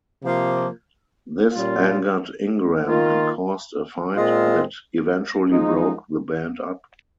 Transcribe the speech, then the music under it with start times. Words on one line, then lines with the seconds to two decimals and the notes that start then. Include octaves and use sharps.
This angered Ingram, and caused a fight that eventually broke the band up.
0.22 C3 F3 A#3 F4
1.53 A#2 G3 C#4 F4
2.85 D#3 A#3 F4
4.16 A#2 G#3 C4 F4
5.49 F3 G#3 D#4